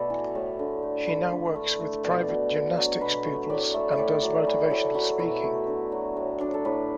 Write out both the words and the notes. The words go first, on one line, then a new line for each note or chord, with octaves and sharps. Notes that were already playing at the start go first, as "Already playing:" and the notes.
She now works with private gymnastics pupils and does motivational speaking.
Already playing: B2 A3 A4 B4 D5 E5
E3
A2
D3
A3
D3 B4
D3
A3
A3
B2 D5
B2
D3
F#3
B2 B4
A3
A2 D5
A3 E5
E5
A2 D5
F#3 D5
E3 B4
A2 A4
F#3 E4
B2 E4
A3
D3
F#3
A2
F#3 D4
A4
A2 B4